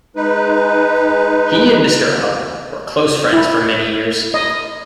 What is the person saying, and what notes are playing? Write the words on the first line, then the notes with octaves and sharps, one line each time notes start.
He and Mr. Hubbell were close friends for many years.
G#3 D#4 B4
E4
D#5